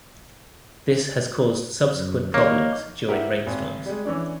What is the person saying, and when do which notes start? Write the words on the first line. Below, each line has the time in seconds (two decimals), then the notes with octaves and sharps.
This has caused subsequent problems during rainstorms.
1.96 F#2
2.34 D#2 A#3 D#4 C#5
3.08 E4 G4 A#4 F#5
3.46 G#1
3.86 G3 G#3
4.05 E3 C#4 D4